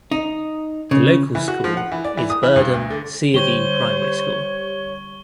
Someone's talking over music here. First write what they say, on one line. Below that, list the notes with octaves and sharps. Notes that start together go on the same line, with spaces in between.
The local school is Birdham C of E Primary School.
D#4
C#3
E3
F#4
F3
F#5
E3
D5
E3
D#6
E3
G2
D2
D3
D3 G3 G4 C5 C#5 C#6 G7